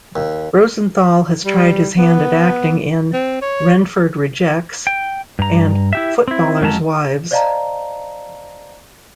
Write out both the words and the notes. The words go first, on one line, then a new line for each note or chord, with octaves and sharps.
Rosenthal has tried his hand at acting in "Renford Rejects" and "Footballers' Wives".
D#2
G3
B3
C4
C#5
G5
G2 A#5
E4 G4 E5
C4 E4
F2 F#3 G#3 C#4 A5 A#5
C5 D5 D#5 F5 A5 A#5